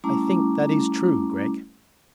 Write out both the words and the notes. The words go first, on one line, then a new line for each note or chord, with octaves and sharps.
"I think that is true, Gregg!"
G3 A3 C#4 E4 A#5 D6